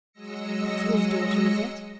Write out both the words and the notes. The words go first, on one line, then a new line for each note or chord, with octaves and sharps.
It's HIS daughter, is it?'
F#3 G#3 D#5 E6 A#6 C#7